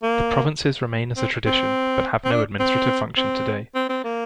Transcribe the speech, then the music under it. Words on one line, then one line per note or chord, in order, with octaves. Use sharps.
The provinces remain as a tradition, but have no administrative function today.
A#3
C4
C4
C4
D4
C4
C4
C4
C4
A#3